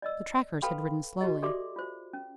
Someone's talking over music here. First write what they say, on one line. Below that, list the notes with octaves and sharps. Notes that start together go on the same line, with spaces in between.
The trackers had ridden slowly.
D5 D#5 E6
A4 B4 F5 G5 B5 C6
F#4 G#4 D#5
G4 A4 D5 E5 C6 D6
F4 C5
C#4